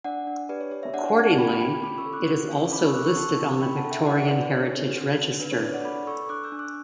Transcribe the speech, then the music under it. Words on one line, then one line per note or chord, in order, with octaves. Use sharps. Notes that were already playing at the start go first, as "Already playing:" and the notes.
Accordingly, it is also listed on the Victorian Heritage Register.
D4 D5 F#5
D4
G4 B4 D5
C#5
G4 C#5
C#5 E5
D4 D5 F#5
D5 F#5
D4
F#5 A5
G4 G5 B5
G4 G5 B5
C#4 B5 D6
C#6 E6
A4
D6 F#6
F#4
C#4
C#4 B5 D6
C#6 E6
A4 D6 F#6
C#6 E6
F#4 A5 C#6
C#4
D4 G5 B5
F#5 A5
A4
E5 G5
F#4 D5 F#5
D4 B4 D5
D4 C#5
A4
F#4
D4
D4 B4
C#5
D4 B4 D5
D5 F#5
A4 B5 D6
A4 C#6 E6
D4 D6 F#6
E6 G6
D4
D6 F#6